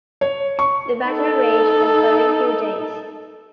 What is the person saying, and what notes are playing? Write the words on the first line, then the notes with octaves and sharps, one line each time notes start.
The battle raged for the following few days.
C#5
C#6
D#4 A4